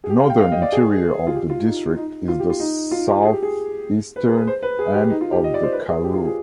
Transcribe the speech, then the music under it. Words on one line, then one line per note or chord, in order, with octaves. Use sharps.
The northern interior of the district is the southeastern end of the Karoo.
G#4
G4
F5
G5
F5
D#5
D5
G#4
F4
G4
F4
D#4
D#4
F4
G4
F4
D#4
F4
G4
G#4
G4
G#4
B4
G#4
B4
C5
B4
G#4
G4
D#4
F4
G4
D#5
D5
C5
B4
G#4
G4
F4
G#4